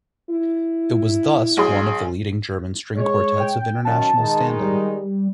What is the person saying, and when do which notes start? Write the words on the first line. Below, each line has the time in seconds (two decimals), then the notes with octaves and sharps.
It was thus one of the leading German string quartets of international standing.
0.30 E4
1.57 B1 G#4 C6
2.96 G#3 C#5
3.40 G5
3.85 F#2 D#3 A5
4.18 D#3 G#3 D#4
4.60 G3